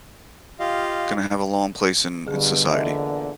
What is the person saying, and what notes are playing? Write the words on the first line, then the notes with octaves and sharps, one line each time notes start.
gonna have a long place in in society.
F4 G4 D#5 F5
G2 B2 D3 G#4
E2 A#2 D3 D#5 E5